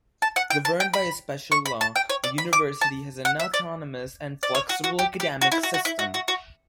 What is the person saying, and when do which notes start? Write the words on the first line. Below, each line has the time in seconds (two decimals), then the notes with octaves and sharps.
Governed by a special law, the university has an autonomous and flexible academic system.
0.22 A5
0.36 F#5
0.50 G5
0.65 A5
0.80 G5
0.93 B5
1.52 C#6
1.66 B5
1.81 A5
1.96 G5
2.10 C#5
2.24 D5
2.38 B5
2.53 D6
2.81 A5
3.25 F#5
3.40 E5
3.54 D5
4.43 D5
4.55 C#5
4.69 F#4
4.84 F#4
4.99 G4
5.20 G4
5.42 F#4
5.52 E4
5.63 F#4
5.74 F#4
5.85 E4
5.99 F#4
6.14 F#4
6.28 F#4